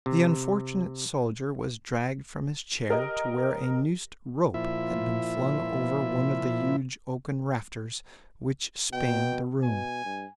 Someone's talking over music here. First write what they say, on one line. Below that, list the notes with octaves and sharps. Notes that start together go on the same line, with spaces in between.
The unfortunate soldier was dragged from his chair to where a noosed rope had been flung over one of the huge oaken rafters which spanned the room.
C3
G4 A#4 D#5
A#2 F3 E4 E5
B2 G5
B2 G#5
G2